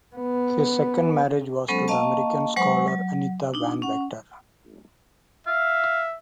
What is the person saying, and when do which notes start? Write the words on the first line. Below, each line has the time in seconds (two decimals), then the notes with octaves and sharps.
His second marriage was to the American scholar Anita Van Vactor.
0.16 B3
1.68 F#3 G#3 B3 C#4 A4 C5
1.87 A#3 D#5 F5 A5 C#6
2.57 F#3 G#3 B4 C5 F#5 C#6
2.88 F#3
3.54 D4 D#4
3.82 C#4 F#5
5.47 E5 F5